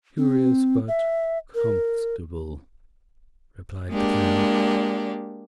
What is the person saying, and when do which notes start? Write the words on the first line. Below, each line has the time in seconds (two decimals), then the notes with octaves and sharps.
"Curious, but comfortable," replied the Cow.
0.18 C4
0.88 E5
1.55 A#4
3.90 G#3 A#3 D4 G4